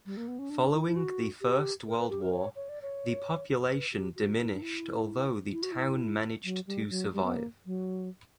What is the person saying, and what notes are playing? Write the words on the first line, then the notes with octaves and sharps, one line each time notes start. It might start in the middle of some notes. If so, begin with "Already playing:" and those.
Following the First World War, the population diminished although the town managed to survive.
G3
A#3
B3
C#4
D4
E4
E4
F#4
G4
A#4
B4
G4
A#4
C#5
C#5
D5
C#5
B4
G4
F#4
E4
D4
E4
E4
F#4
E4
F#3
G3
F#3
G3
B3
A#3
F#3